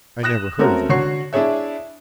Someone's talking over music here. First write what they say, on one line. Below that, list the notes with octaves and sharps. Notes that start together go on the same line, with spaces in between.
I never heard of any.'
D#6 F#6 A#6 E7
A3 C4 C#4 F#4 A#4
D3 F#4 C#5 C#6 C7
D4 E4 G#4 C#5 E5